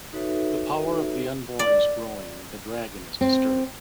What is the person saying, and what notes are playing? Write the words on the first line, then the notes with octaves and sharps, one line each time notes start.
The power of the Unborn is growing and the dragon is disturbed.
D#4 F#4 A4 B4 C#5 E5
D5
C4